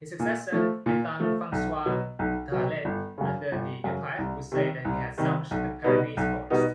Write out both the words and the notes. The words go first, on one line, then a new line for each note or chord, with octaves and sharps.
His successor, Etienne-François Dralet, under the empire, would say that he had salvaged the Pyrenees forest.
A#2
F3 A3
A#2
F3 A3
B1
B2 F#3
B1
B2 F#3
G1
F#2 C#3
G1
F#2 C#3
C2
C3 D#3 G3
C2
C3 D#3 G3
B1
B2 G3 B3 D#4
B1
B2 G3 B3 D#4